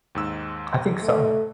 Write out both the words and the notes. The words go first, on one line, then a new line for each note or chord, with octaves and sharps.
I think so.
D#2 G#2 E6
A3